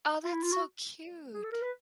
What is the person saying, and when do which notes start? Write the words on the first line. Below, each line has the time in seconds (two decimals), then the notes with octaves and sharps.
Oh, that's so cute.
0.25 F4
0.34 E4
0.43 F4
0.52 F#4
1.34 G#4
1.44 A4
1.52 A#4
1.62 B4